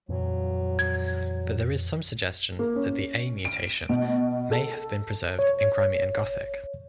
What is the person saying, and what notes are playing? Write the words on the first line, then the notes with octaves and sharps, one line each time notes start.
But there is some suggestion that "a"-mutation may have been preserved in Crimean Gothic.
F2 A#2 E3 F#3
G#6
A#3
C#4
D7
B2
A4
C#5